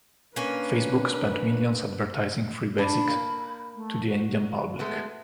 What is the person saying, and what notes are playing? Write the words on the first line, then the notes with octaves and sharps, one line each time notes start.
Facebook spent millions advertising Free Basics to the Indian public.
A#3 C#4 D4 B4
D4 B5
A#3
A3
F#4
G#3 A3 B3